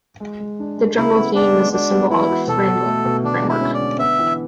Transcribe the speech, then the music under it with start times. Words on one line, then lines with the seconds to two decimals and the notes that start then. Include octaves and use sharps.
The jungle theme is the symbolic framework.
0.20 G#3
0.40 G#3
0.59 D4
0.78 G#3
0.97 C#3 E4
1.15 B3
1.35 B3 D4
1.53 G#3
1.73 D4 F#4
1.91 B3
2.10 E3 E4
2.29 F#4
2.47 B2 A4
2.67 B2
2.86 A3
3.05 B2
3.23 D3 D4
3.43 G#3
3.49 E4
3.61 C#4
3.74 D5
3.80 D3
3.99 B3 E5
4.19 E3